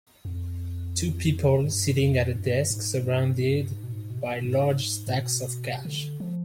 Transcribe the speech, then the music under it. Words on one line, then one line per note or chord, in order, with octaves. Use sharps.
Two people sitting at a desk surrounded by large stacks of cash.
F2
G2
F2
G2
G#2
G2
G2
G#2
B2
G#2
B2
C3
B2
G#2
G#2
B2
C3
D3
F3